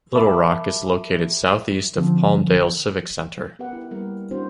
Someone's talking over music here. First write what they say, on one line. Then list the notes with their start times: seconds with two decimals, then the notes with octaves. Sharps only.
Littlerock is located southeast of Palmdale's Civic Center.
0.16 A#4 E5 A5 B5 D6
1.97 D3 F3 C4
3.59 B3 G4 A#4 B4 F#5
3.73 E4 B4
3.91 G3 A#3 A#4
4.31 C4 D4 E4 F#4 C5